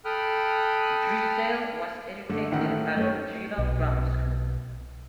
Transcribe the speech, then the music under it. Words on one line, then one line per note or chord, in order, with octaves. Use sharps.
Drysdale was educated at Geelong Grammar School.
A4 G5 B5 D#6 F6 F#6
D3 A3
A1 D#3 F#5
A3 C5 C#5
B1